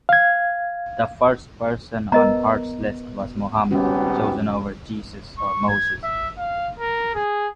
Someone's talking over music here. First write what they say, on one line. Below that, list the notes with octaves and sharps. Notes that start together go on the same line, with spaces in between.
The first person on Hart's list was Muhammad, chosen over Jesus or Moses.
F5 G#6
B3 A#4 D#5 A#5
G#1 G3 B3 C#4 F#4 G4
C#6
G#6
E5
F5
A#4
G#4